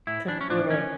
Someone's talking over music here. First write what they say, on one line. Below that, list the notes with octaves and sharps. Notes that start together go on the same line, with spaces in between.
For sure.
A2 E4
E3 D4
C#4
A2 D4
E3 C#4